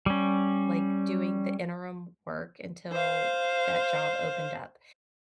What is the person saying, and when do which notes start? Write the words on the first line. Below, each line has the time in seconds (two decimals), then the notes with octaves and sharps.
like, doing the interim work until that job opened up,
0.06 G3 C#4
2.92 C5 F5